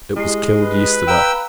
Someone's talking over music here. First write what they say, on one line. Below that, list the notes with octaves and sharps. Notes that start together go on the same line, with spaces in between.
It was killed yesterday.
G#3 E4 G4 C7
B4
F5 G5 A#5 E6